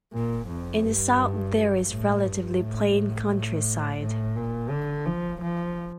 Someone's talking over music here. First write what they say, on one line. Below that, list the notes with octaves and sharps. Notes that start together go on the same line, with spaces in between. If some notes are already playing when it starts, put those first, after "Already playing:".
In the south there is relatively plain countryside.
A#2
F2
G2
A2
G2
A2
A2
A2
A#2
D3
F3
F3